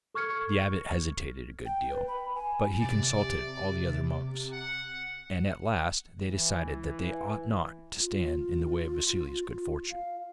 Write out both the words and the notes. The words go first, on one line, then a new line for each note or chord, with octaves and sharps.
The abbot hesitated a good deal, but he consulted all the other monks, and at last they decided that they ought not to stand in the way of Vassili's good fortune.
A4 C#6 F6 G#6 C#7
G5
B4
B5
G#5
C3 D5
F#5
E3
F4
F5